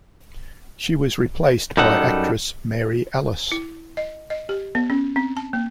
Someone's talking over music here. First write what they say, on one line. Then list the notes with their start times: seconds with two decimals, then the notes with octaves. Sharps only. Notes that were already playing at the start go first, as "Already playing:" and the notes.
She was replaced by actress Mary Alice.
1.77 F#2 G3 D#4 A4 F#5
3.52 E4
3.97 D#5
4.30 D#5
4.49 G4
4.75 B3
4.90 C#4
5.16 C4
5.37 A5
5.53 A#3